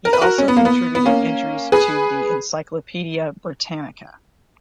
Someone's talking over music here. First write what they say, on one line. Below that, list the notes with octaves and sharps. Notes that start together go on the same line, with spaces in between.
He also contributed entries to the "Encyclopedia Britannica".
A#4
B4
F#4 A#4
C#4
B3
A#3
B3
B3
A#3 C#4
G#4 B4